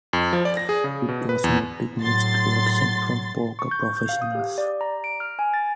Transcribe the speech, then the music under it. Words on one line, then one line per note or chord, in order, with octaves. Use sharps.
It was met with mixed reactions from poker professionals.
F2
F3
D5
A#6
G#4
C#3
B2
B4
E2
A2 F#3 C6 A6
C#6
G6
G6
F5
D#6
G4
D5
A#5
D7
F6
G#5
A6